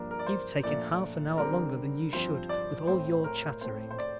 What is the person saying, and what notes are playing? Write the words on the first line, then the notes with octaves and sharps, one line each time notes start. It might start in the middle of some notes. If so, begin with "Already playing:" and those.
You've taken half an hour longer than you should with all your chattering.
Already playing: G2 F3 A#3 D4 A#4
A#4
D5
C5
A#2 F3 A3 D4 D5
D3 G3 C4 A#4
G2 F3 C4 C5
D5
A2 A3 C4 C5
A#4
A2 A3 C4 C5
C5
D5